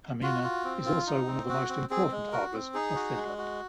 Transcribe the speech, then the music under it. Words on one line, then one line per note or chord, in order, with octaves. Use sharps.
Hamina is also one of the most important harbors of Finland.
F4 F#4
F4
C4
F4
D#4
C4
F#4
C4
C4 G#4
G#3
F#4 A#4
C4
D#4 G#4
F#4
G#3
F#4